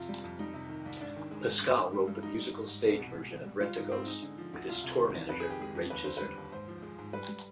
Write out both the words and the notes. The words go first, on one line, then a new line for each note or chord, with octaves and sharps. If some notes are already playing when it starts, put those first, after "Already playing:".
Pasquale wrote the musical stage version of "Rentaghost" with his tour manager Ray Tizzard.
Already playing: F2 C3 F4
G3
F2
G3 D#4
C3
D#3
C2
G#2 D4
D#3
G#3
G#2
G2
D#3
G3
G2
G3 D#4
G3
G#2
G#2
C2
B2
G#3
C2
G3
G3 F4
G#2 D#4
G#2 C4
G#3 D#4
D3
F3
D2
C2 F4
C3
D#3
C2
F2 B4
D#3 G#4
G4
G#3 G#4
F2
D#2 B4
D3 C5
G3 B4
D#2
G#2 C5
F3
G#3
G#2
G3 B4
G3